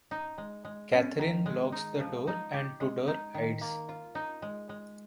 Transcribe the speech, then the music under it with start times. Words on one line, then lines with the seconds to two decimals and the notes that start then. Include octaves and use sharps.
Catherine locks the door and Tudor hides.
0.11 D#4
0.38 G#3
0.65 G#3
0.92 C#4
1.19 D#3
1.46 G#3
1.72 D#4
2.00 F3
2.27 D#4
2.54 G4
2.80 G#3
3.07 D#4
3.34 D#3
3.61 A#3
3.89 F4
4.15 D#4
4.42 G#3
4.69 G#3